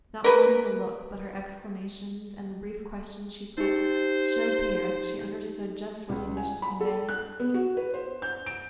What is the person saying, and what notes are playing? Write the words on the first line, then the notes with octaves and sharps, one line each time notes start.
Not only her look, but her exclamations and the brief questions she put, showed Pierre that she understood just what he wished to convey.
A#4 B4
D#4 G4 C5
C#2
G#5
B5
A4
F#6
B3
F#4
B4
C5
G6
D7